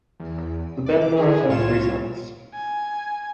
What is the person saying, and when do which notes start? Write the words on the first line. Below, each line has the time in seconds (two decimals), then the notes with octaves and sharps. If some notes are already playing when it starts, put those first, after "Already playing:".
The Bednars have three sons.
0.20 E2
0.86 A4 D5
1.01 D6
1.17 E4 G#4
1.48 C2 A2 F4 C#5 E7
2.54 G#5